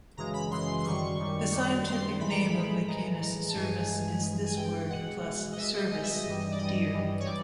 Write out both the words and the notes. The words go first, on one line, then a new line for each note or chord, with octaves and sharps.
The scientific name of "Lucanus cervus" is this word, plus "cervus", deer.
F#2 C#3 E3 G#3 A#5
B5
F#2 C#3 E3 G#3 C6
C6
F#2 D#3 G3 C#6
F#2 D#3 G3
F#2 D#3 G3
F#2 D#3 G3 C6
A2 E3 G#3 B5
A#5
B5
A2 E3 G#3
A2 E3 G#3 A#5
A2 E3 G#3
A5
G2 E3 G#3 G#5
G2 E3 G#3
G2 E3 G#3
G#5
G2 E3 G#3 G5
B2 G#3 F#5
B2 G#3
D#5
B2 G#3 E5
D#5
B2 G#3 D#5
E5
D#5
G2 E3 G3
D5
G2 E3 G3 D#5
G2 E3 G3
C#5
E3 G3 D5